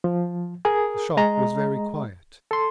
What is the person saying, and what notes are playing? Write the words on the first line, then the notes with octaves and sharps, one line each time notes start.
The shop was very quiet.
F3
G#4 A#4 D#6
G#3 G#4 D#5 A#5
A4 C6